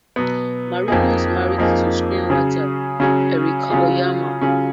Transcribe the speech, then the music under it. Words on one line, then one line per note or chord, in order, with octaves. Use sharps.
Marino is married to screenwriter Erica Oyama.
B2 F#3 B3
F2 F3 A#3 D#4 G#4
F2 F3 A#3 D#4 G#4
C#3 F#3 C#4 G#4
C#3 F#3 C#4 G#4
C#3 F#3 C#4 F4 G#4
C#3 F#3 C#4 F4 G#4